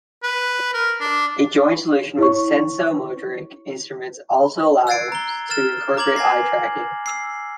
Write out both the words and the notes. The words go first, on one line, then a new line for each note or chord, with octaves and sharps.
A joint solution with SensoMotoric Instruments also allows to incorporate eye tracking.
B4
A#4
D4
E4 C#5 C#6
E6 F#6 G#6 A6 C7 D7
A#5 G7
F6 A6 E7
A#5 D6 G#6 F#7
G#5 G#6 A#6 C7
E6 C7